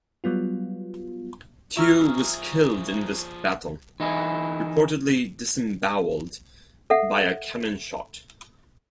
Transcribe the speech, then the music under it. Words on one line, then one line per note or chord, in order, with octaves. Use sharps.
Tew was killed in this battle, reportedly disemboweled by a cannon shot.
F#3 G3 B3 F4
F3 F4 G#4 E5 A#5 C#6 E6 F6
E3 D#4 E4 G#4
A4 E5 F#5